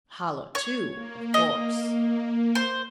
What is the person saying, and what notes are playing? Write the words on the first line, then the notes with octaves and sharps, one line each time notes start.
"Hollow, too, of course?"
C#5
A#3
D#5
C5